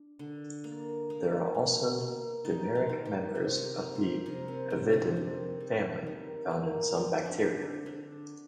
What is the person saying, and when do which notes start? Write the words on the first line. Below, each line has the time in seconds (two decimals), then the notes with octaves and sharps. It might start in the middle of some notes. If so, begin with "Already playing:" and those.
There are also dimeric members of the avidin family found in some bacteria.
Already playing: D4
0.19 D3
0.64 A#3
1.10 A#3
1.55 A#3
2.00 A#3
2.45 D#3 D#4
2.75 F4
2.89 D#3
3.05 G4
3.35 C3 C5
3.65 A#4
3.81 A#3
3.95 C5
4.26 C3 A#4
4.48 C4
4.70 C3 D4
4.93 D4
5.00 C4
5.16 D#3 C4
5.60 G3
6.07 D#3
6.51 A#3
6.96 F3 C4
7.26 D4
7.41 D3
7.86 D3 D4